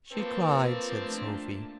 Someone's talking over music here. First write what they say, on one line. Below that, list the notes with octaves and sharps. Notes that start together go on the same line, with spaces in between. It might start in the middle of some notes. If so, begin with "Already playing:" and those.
"She cried," said Sophie.
F3 A#3 C4 B4 A5 C#6
A3 D4